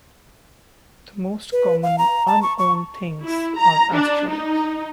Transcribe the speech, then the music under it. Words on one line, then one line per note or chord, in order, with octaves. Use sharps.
The most common unowned things are asteroids.
B4
F5
A#5
A5
C#6
C#6
E4
A#5
D4
D#4